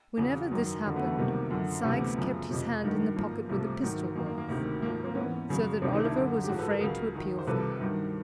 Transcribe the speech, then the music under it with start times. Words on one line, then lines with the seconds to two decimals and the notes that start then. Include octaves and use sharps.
Whenever this happened Sikes kept his hand in the pocket where the pistol was, so that Oliver was afraid to appeal for help.
0.17 E2 C#3 F#3
0.51 F#2 D#3 F#3
0.85 F2 D3 F#3
0.96 A3 B3
1.06 A3
1.13 B3
1.17 C2 C3 D#3 F#3 A#3
1.50 F#2 D3 F3
1.83 D2 C3 E3 A3 B3
2.16 F#2 C#3 F3
2.50 F2 C3 F3
2.84 G2 D#3 F#3
3.16 G#2 F3 A#3
3.49 C2 C3 F3 A3
3.82 G#2 D#3 F#3
4.15 F#2 D#3 F#3 A#3
4.26 A#3
4.38 A#3
4.49 D2 C3 D#3 F#3
4.82 G#2 F3 A#3
5.04 A#3 C4
5.15 G#2 E3 B3 C#4
5.49 F#2 C#3 F#3
5.81 C#2 C3 D#3 C4 D4
5.92 C#4 D#4
6.04 D4 E4
6.14 F#2 D3 F#3
6.44 G4
6.48 G#2 F3 F#4 G#4
6.58 A4 B4
6.70 G#4 A#4
6.81 C#2 C#3 F#3
7.14 F#2 D#3 F#3
7.39 C5
7.47 C2 C3 F3 A4 B4
7.80 G2 D#3 F#3